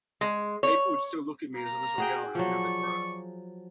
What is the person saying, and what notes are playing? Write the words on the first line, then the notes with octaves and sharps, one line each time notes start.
People would still look at me as a little girl and I'd never grow.
G#3
C#5
A#3 A#5
F#4 G#4 G5
F3 F#3 D5 C#6